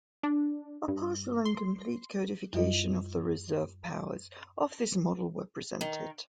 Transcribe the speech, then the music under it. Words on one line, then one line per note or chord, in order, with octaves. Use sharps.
A partial and complete codification of the reserve powers of this model were presented.
D4
G2
C6
F#2 G3 F4 D#5
D#3